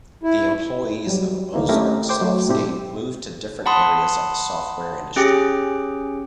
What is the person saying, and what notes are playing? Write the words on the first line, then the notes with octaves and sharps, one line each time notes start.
The employees of Ozark Softscape moved to different areas of the software industry.
E4
F#3 G3
D2 D#3 A#3 D#4 E4
A3 C4 C#4 E4 G4 A#4
C5 G5 D6
F#3 A3
G#2 B2 C4 D4 E4 G4
F#5 A5 B5 C6 D#6
C#4 G4 G#4 G5